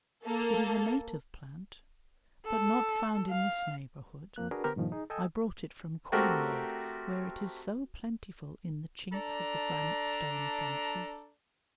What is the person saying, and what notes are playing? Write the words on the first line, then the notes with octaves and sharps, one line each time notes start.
It is a native plant, but not found in this neighbourhood; I brought it from Cornwall, where it is so plentiful in the chinks of the granite stone-fences.
A#3 A4
A4
F5
F2 F3 A#3 F#6
D4 F#4 G#4 A#4 B4
D3 B3 G4 A#4 C5
G2 A#2 D#3 F3
D#4 G#4
A4 D#5 G5 G#5 D#6 E6
A3 C4 F#4 G4 A#4
D4 A4 D5 A#5